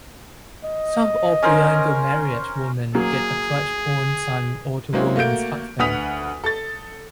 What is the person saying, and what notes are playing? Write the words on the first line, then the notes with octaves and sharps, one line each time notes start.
Some of the younger married women get a crush on some other woman's husband.
D#5
C#4 A#4 C5
F#3 A#3 G#4
F#3 G#3 A#3 C4 C#4 E4
A3 A#3 F#4 G6 D7
D2 B4 F#5 D#6 B6 F7
A4 A6